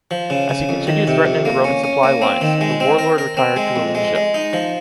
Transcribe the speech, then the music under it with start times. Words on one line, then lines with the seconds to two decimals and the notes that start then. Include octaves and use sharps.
As he continued threating the Roman supply lines, the warlord retired to Alesia.
0.11 F3
0.30 C#3
0.49 C#3
0.69 F2
0.87 D#3
1.08 C3
1.26 F2
1.45 A#3
1.64 C#4
1.84 C#4
2.03 A#3
2.22 C4
2.41 D#3
2.61 G#3
2.80 C4
2.99 A#4
3.18 A#4
3.37 C4
3.56 G#3
3.76 F2
3.95 G#3
4.15 G#3
4.34 D#4
4.53 F3